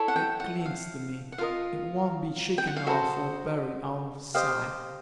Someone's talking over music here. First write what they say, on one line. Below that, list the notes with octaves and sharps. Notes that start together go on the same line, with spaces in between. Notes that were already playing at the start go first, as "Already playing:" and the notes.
It clings to me; it won't be shaken off or buried out of sight.
Already playing: E4 A4 C#5
F#5
G5
F#5
F5
F#5
F4 A#4 D#5 F5
G5
F#5
F5
F#4 A4 C5 D#5 E5
G4 C5 D#5 F5